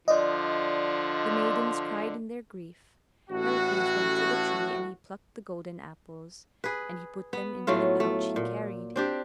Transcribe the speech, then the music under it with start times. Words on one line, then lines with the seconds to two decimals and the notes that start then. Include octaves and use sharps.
The maidens cried in their grief; Heracles went to the tree, and he plucked the golden apples and he put them into the pouch he carried.
0.08 D3 F3 D5 D#5
3.29 A1 A2 F#4
6.64 G#4 B4
7.33 B3
7.67 A2 F#3 A3 F4
8.00 A3
8.36 A#2
8.96 C4 D4 G4